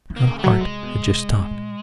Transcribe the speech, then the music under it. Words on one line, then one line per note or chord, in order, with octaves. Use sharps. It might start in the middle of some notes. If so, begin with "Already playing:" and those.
Her heart had just stopped.
D#3
A#3
C#3
A3
F#3
C3 G#3
B2
C3
B2
B2
A#2